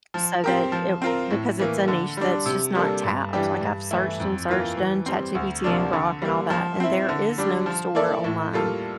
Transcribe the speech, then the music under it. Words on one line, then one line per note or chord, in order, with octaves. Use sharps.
so that it because it's a niche that's just not tapped, like, I've searched and searched, done ChatGPT and Grok and all that, and there is no store, online,
F3
C4 G4 A#4
F3
C4 F4 A#4
A2
E3 A#3
D3
G3 D4
C3
G3 A#3 D4 A4
G2
E3 G3 D4 G4
G2
E3 A3 E4
F2
E3 A#3 F4
E3
G3 C4
D2
C3 F3 A#3 D4
D3
G3 A#3
F3
C4 E4
D3
G3 D4
F3
A#3 E4 A4 D5
A2
G3 A#3 F4 A4